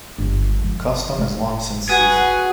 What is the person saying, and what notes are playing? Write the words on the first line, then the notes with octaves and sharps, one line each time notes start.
The custom has long since ceased.
G1
F3
A3
F#4 G#4 B4 F#5